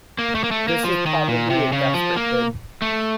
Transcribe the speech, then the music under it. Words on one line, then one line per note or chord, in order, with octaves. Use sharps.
This is probably a desperate bid.
A#3
A3
A#3
A3
A#3
F3
D#3
A#2
C3
C#3
F3
A#3
A3